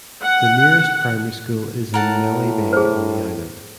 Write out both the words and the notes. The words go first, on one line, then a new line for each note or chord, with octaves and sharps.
The nearest primary school is in Nelly Bay on the island.
F#5
A2 A#4 F#5 A5
G#4 C5